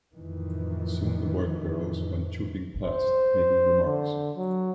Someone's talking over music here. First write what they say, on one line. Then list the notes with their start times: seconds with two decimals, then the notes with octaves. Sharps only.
Soon the work-girls went trooping past, making remarks.
0.14 F2 A2 D#3 E3
2.83 C5
3.85 D3
4.37 F#3